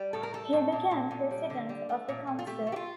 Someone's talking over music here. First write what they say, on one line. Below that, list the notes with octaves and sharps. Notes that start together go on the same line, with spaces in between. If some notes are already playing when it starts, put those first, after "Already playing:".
He became president of the council.
Already playing: G3
A2 A4
A#4
G3 A4
A2
A#2
A#2
A#2
G3
D3
G3
A3
A#2
A#2
F4
A3 G4
A3
G4
F4